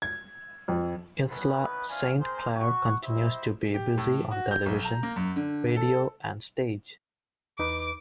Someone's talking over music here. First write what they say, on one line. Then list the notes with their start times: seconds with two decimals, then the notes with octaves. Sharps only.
Isla Saint Clair continues to be busy on television, radio and stage.
0.02 G#6
0.68 F2
1.30 B3 C#4 D#4 E4 B4
1.89 C#4 E4 C5 D5 F5 G#5
2.20 C4 G#4 A#4 C5
2.56 F#4 C#6
3.03 E4 G4 C5 D#5 E5
3.74 G4
3.98 A2
4.31 F#4
4.51 G6
4.66 B1
4.85 A#5
5.03 A#3
5.16 F#2
5.36 D3
5.76 A4
7.59 E2 D#4 B4 D6